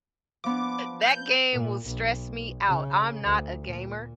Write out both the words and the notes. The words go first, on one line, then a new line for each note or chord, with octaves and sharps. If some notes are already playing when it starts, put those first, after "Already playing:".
That game will stress me out, I'm not a gamer.
F3 B3 D4 D6
G6
A#2
B1
C#3
D2
A#2